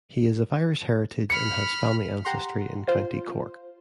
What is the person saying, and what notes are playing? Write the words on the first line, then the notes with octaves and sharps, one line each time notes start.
He is of Irish heritage and has family ancestry in County Cork.
B5 F6 C#7
G4 F#5 A#5 C6
F4 C5